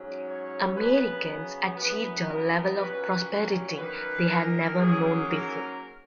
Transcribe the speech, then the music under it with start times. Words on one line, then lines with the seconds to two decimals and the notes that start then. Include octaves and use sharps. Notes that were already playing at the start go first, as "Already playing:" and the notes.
Americans achieved a level of prosperity they had never known before.
Already playing: G#2 F#3 C#4
0.27 C#5
0.77 C#3 F#3 B3 B4
1.77 F#2 E3 B3 B4
2.27 A#4
2.77 A#2 F#3 C#4 B4
3.77 F#2 D#3 A#3 B4
4.29 A#4
4.78 G#2 F#3 A#3 C#4 G#4
5.28 A#4